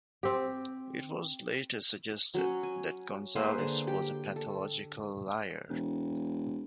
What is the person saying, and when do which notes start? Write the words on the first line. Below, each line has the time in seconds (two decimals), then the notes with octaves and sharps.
It was later suggested that Gonzales was a pathological liar.
0.23 C4 G4
2.34 F#3 C#4
2.63 G#5
3.35 A#3 G#4 B4 C5
3.58 D3 G#4
3.87 G4 G5
4.36 A4
5.69 E1